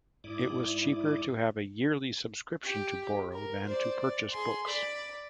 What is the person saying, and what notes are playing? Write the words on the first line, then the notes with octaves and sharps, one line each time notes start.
It was cheaper to have a yearly subscription to borrow than to purchase books.
G#2 E4 D5 D6 D#6
G4
A#4
C5 D5
D5
G#4 C6
D5 B5